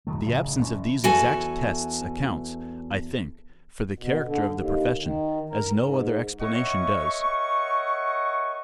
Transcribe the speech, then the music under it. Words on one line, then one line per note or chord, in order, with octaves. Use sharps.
The absence of these exact tests accounts, I think, for the character of the profession, as no other explanation does.
D1 F#2 D#3 A3
A1 G2 C#3
A1 C#4
E2 F#4 A4 G#5
B2
D3
D#2
D#3
A#4
G#2
A#4 C#5 D#5 E5 F#5 C#6